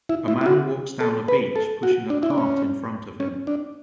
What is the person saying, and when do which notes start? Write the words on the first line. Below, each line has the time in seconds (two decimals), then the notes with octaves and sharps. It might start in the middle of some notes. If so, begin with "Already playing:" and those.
A man walks down a beach pushing a cart in front of him.
0.09 E4
0.28 E4
0.41 E4
0.46 F#4
1.00 A4
1.28 B4
1.56 A4
1.83 F#4
2.10 D4
2.23 E4
2.30 D4
2.38 C#4
3.20 C#4
3.47 D4